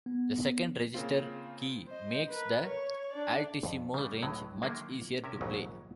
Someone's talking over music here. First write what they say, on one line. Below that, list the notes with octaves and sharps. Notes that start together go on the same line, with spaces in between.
The second register key makes the altissimo range much easier to play.
B3
C#3 A#3 C4 F4
C5 D#5
A#4 B4
C#5
D4 D5
F2
C#3 G3
C#2 A2 F#3 G#3
D3 D#3 F#3 G#3 A#3 D4
C3 C#4 A#4 E5
A#1 D#2 G#2 C#3 F#3 G#3